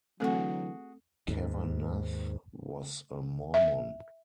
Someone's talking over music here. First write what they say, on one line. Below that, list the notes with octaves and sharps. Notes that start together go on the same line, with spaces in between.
Cavanaugh was a Mormon.
D3 E3 F#3 A3 C4 F#4 G#4 A4
D#2 G#2
E5